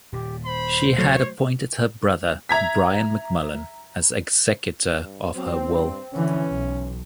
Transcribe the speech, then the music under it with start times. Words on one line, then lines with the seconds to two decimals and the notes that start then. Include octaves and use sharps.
She had appointed her brother, Brian McMullen, as executor of her will.
0.12 D#1 A#2 G4
0.46 C5 B5
0.98 F#3 A3 C#5
2.49 E5 A#5 G#6 B6
5.03 G2
5.35 F#3 C4
5.66 G2
6.13 D3 E3 C#4
6.46 B1